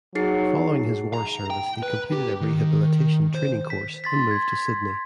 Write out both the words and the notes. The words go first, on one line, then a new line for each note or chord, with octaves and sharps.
Following his war service he completed a Rehabilitation Training course and moved to Sydney.
F#3 D#4 G#4 C7
A#5
G5
B4
G4
D#3
C5
B6
C6 A6 B6
C6 G#6